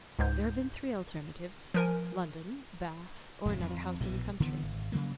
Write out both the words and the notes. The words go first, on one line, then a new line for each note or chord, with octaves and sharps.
There had been three alternatives, London, Bath, or another house in the country.
C#2 G#2 G6
F3 A#4 G#5
D1 F2 A2 C#3
F2
A#1 B2 D3 E3
D3 E3 B3
G#1
C#3 E3 F#3 A#3